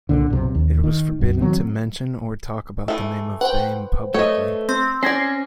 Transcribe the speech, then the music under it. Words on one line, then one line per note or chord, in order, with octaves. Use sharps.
It was forbidden to mention or talk about the name of Baiame publicly.
C2 A#2 D3
B1 F#2 C3
D#2
D#3
C2 F#2
D#3 F3 F#3 C4
E3 F3 A3
B4 C5 F#5 G5
A3 C#5 D#5
C4
C#4 C5 D5 G#6 A#6 C7